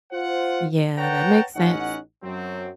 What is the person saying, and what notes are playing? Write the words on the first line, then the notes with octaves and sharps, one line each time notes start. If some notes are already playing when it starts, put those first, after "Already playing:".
Yeah, that makes sense.
F4 C5 F#5
B4 C#5 F#5 G5 A5 A#5
A1 C#4 D#4 F#5
F#2 F#3 C4